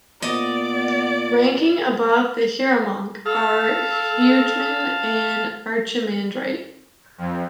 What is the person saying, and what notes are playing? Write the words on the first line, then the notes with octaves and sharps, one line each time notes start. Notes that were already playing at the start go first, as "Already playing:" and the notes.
Ranking above a hieromonk are a hegumen and an archimandrite.
A#2 B3 D5 D#5
A4 F5 A5
F2